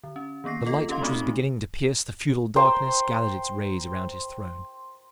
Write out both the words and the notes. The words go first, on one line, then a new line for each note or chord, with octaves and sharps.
The light which was beginning to pierce the feudal darkness gathered its rays around his throne.
D3
C#4
D#3 A#3 B3 A#6 C7
F4 A4 D#5
C#4 G4 A4 D#5 F5 C6
G#3 A3 B3 C4 D#4 F#4
C5 G5 A#5